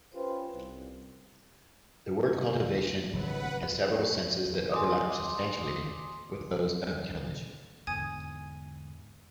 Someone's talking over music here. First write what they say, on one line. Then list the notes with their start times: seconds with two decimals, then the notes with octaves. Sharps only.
The word "cultivation" has several senses that overlap substantially with those of "tillage".
0.14 C#4 F4 G4 B4 C5
0.53 C2
3.13 G#1 C#3 F#3 B4 F#5 B5
4.72 G#5 C6 D6 D#6
7.87 E2 G#2 D3 G#5 D#6 G#6